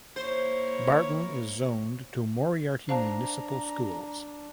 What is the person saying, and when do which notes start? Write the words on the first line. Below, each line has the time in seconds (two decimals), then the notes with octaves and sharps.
Barton is zoned to Moriarty Municipal Schools.
0.16 A#3 E4 C5 C#5
2.89 D4 C5 F5 A5 A#5